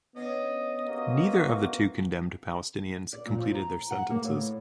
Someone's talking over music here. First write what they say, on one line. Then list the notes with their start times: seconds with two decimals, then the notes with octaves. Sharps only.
Neither of the two condemned Palestinians completed their sentences.
0.16 B3 C#4 D4 D#5
0.87 C3 A#3 F#4
3.13 D5
3.26 A#2
3.38 F3
3.55 A#5
3.91 F#5
4.11 A#3
4.24 A2